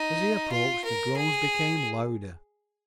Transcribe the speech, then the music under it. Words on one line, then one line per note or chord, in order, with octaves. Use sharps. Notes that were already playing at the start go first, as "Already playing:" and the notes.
As he approached, the groans became louder.
Already playing: D#4
F4
A#4
G#4